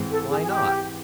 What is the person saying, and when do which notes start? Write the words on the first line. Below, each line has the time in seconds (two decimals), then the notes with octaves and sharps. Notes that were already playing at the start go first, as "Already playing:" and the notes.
"Why not?"
Already playing: G#2 E3 G#3 C4
0.10 A4
0.30 G#4
0.42 G#4
0.49 G4